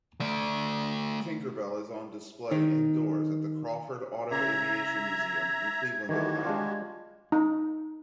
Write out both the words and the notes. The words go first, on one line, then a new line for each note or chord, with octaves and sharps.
"Tinkerbelle" is on display indoors at the Crawford Auto-Aviation Museum in Cleveland, Ohio.
A3 D5
D#3
C#3 E5 A#5 G#6
D#3 E3 G3 A3 F#4 G4
G#3 D4 F4
D#4